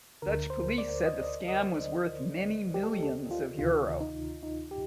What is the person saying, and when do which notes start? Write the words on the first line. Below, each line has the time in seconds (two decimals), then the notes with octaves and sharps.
Dutch police said the scam was worth 'many millions of euro'.
0.22 D2 D3 A#4
0.50 C5
0.78 D5
1.06 D#5
1.48 D#5
2.74 G4
2.83 A4
2.92 G4
3.03 A4
3.31 F4
3.58 D2 C3 D#3 F4
4.01 D#4
4.43 D#4
4.71 G4